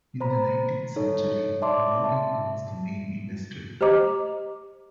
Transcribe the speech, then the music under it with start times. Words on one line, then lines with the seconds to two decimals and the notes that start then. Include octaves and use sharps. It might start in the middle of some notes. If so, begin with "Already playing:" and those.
In the nineteenth-century logging was the main industry.
0.21 C5 A#5 B5
0.96 D#4 A4 C#5
1.62 D5 E5 A5 C6 D6
2.04 E5 A5
3.81 G4 C5 D#5 A#5 D6